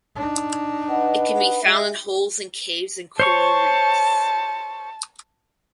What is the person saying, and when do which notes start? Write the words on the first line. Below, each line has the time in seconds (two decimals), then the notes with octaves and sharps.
It can be found in holes and caves in coral reefs.
0.16 D4 D#4
0.90 B4 D#5 F#5
1.62 G#3 G4 E5
3.20 C5 C#5 A5 C#6